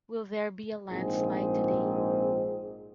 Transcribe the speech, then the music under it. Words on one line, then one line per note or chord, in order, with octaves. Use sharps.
Will there be a landslide today?
A#1 G#2 C4 G#4